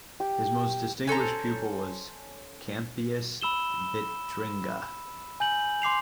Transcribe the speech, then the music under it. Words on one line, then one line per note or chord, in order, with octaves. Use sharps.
His most distinguished pupil was Campeius Vitringa.
G4
C#4 A4 C5 A#5
B5 E6 E7 G7
G#5 G6 F#7
C6 D6 C7 F7